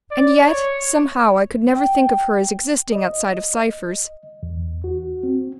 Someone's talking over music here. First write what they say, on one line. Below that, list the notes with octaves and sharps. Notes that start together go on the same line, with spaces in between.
And yet, somehow, I could never think of her as existing outside of Cypher's.
D5
C#5
G5
D#5
E2
F#4
C4